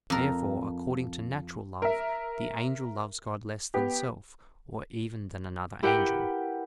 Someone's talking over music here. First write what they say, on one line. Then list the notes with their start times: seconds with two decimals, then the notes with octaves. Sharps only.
Therefore, according to natural love, the angel loves God less than self, or even than another angel.
0.10 F2 A#4
1.82 A#4 E5
3.74 B3 G4
5.83 E4 G4 A#4 B4 F#5 G5